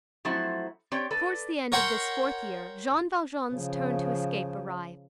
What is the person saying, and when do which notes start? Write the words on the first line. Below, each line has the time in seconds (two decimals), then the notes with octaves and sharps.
Towards the end of this fourth year Jean Valjean's turn to escape arrived.
0.25 F3 F#3 A3 C4 E4 F#4
0.92 C4 G4 C#5 D5 G5
1.11 A4 B4 D5
1.72 A#4 C#5 F#5 G5 C6
3.54 C#3 F3